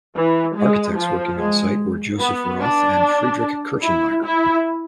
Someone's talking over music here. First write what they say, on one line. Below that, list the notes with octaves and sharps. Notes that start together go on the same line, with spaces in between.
Architects working on site were Joseph Roth and Friedrich Kirchenmayer.
E3
G#3
F3
G#3
B3
D4
E4
E4